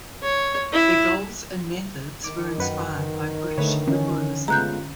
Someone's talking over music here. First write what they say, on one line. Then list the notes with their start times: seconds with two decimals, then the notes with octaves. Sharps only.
Their goals and methods were inspired by British Liberalism.
0.22 C#5
0.72 E4
2.24 D#3 D6
2.58 F#2 B4 F#5
3.58 D3 A3 B4 C#5
3.88 E3 C#4
4.48 G2 G#3 A3 B3 F4 A#5 F#6 G6